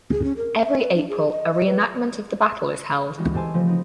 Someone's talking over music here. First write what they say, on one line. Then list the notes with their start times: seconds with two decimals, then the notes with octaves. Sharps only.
Every April, a reenactment of the battle is held.
0.12 G#4
0.24 C#4
0.37 A#4
0.65 E5
0.78 B4
0.95 D4
1.09 G#4
1.30 D#5
1.52 D#5
1.66 B4
3.18 E3 G3 G#3 B3 C#4 F#4
3.34 G4 A4 C5 G#5 A5 C6
3.54 C#3 F3 A3 C4
3.66 B3 C4 D#4